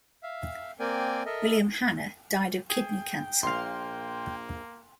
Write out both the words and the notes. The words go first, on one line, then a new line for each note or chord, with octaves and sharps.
William Hannah died of kidney cancer.
E5 F5
A#3 C4 A#4 D5 G5 G#5
A4 A#4 D#5 E5
G#4 G5
A#1 A#3 F5 C6